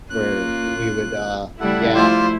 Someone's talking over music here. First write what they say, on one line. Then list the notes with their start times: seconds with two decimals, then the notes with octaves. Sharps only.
where we would, uh yeah,
0.10 A#3 C#4 F4 F#6
1.60 C#3 G3 A3 E4 A4 F#5
1.95 F3 A3 F4 C5 D5